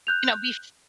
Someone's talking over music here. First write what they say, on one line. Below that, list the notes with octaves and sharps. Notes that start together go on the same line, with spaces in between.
you know, bef
F#6 G6 F7